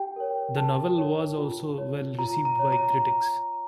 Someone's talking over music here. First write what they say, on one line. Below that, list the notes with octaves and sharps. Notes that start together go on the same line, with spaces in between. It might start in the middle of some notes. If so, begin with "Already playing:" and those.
The novel was also well received by critics.
Already playing: G4 G5
A#4 C#5
G4 A5
A#4 C#5
F4
C#5
F4 A#5
A#5
C#5
A#5